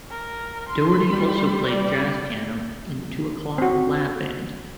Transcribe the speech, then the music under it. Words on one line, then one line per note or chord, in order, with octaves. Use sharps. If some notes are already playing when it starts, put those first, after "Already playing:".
Daugherty also played jazz piano in the Two O'Clock Lab Band.
A#4
C6
G3
D5
C4 F#4